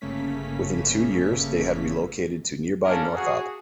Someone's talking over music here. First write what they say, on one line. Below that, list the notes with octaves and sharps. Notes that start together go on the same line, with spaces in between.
Within two years they had relocated to nearby Northop.
G1 C#3 A3 A#3 C#4 B6
A#3 C#4 D4 A4 A#4
F#4 G#4